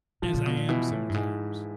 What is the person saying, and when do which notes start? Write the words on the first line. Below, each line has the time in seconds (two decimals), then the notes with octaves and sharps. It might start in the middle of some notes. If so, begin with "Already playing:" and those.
as I am sometimes.
0.22 A#2 F3 F4
0.34 A#2
0.46 B2
0.57 A#2
0.69 B2 E3 E4
0.91 A2
1.09 G2
1.14 G#2